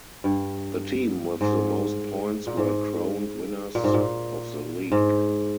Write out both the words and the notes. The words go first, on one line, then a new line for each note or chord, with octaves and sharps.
The team with the most points were crowned winners of the league.
G2
G#2
A#2
G#2
A#2
G#2
A#2
G#2